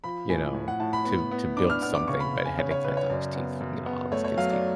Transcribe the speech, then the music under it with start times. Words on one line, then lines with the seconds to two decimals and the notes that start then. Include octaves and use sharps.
you know, to to build something, but it had to collect all these teeth from, you know, all these kids teeth.
0.04 F3 B5
0.29 A2 G#5
0.55 A2
0.68 F#5
0.80 A2 A5
0.93 B5
1.05 B3
1.31 B3
1.57 D4 D6
1.70 F6
1.82 B3 F6
1.95 D6
2.08 C#3 C#6
2.20 B5
2.33 C#3
2.45 G#5
2.58 C#3 C#5
2.71 C#5
2.84 C#3 B4
2.97 C#5
3.10 F#2 D5
3.36 B3
3.61 F#2
3.86 B3
4.12 A3 C#5
4.24 C#5
4.37 F#3 F5
4.50 D5